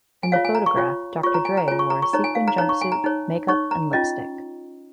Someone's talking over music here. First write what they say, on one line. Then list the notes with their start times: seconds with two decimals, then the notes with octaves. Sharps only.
In the photograph Doctor Dre wore a sequined jumpsuit, makeup, and lipstick.
0.23 G#5
0.32 F4 C#5 F5
0.45 G#5
0.55 A#5
0.66 C#6
0.77 F4 C#5
1.23 F4 C#5 C#6
1.34 A#5
1.45 G#5
1.57 A#5
1.68 C#5 G#5
1.71 F4
1.79 C#6
1.90 A#5
2.02 C#6
2.13 D#4 C#5 A#5
2.24 G#5
2.35 F5
2.48 A#5
2.58 D#4 C#5 A#5
2.69 C#6
2.81 G#5
2.92 A#5
3.04 D#4 C#5
3.48 D#4 C#5 C#6
3.71 A#5
3.93 C#4 F4 D#5